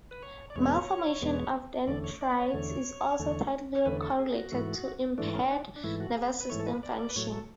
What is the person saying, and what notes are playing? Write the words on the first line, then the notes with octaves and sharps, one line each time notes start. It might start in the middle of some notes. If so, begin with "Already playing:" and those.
Malformation of dendrites is also tightly correlated to impaired nervous system function.
B4
C#5
D5
E2 B2 G#3 B3 C#5
E2 B2 G#3 B3
E2 D3 A3 D5
C#5
D5
C#5
E2 D3 A3
E2 D3 A3
C#5
E2 D3 A3 B4
A4
G#4
G#4
F#4
G#2 E3 A3
G#2 E3 A3 D4
C#4
D4
D4
G#2 E3 A3 E4
F#4
G#4
B4
G#2 E3 A3 C#5
A4
B4
D5
D5
B4
A2 F#3 A3 C#5
A4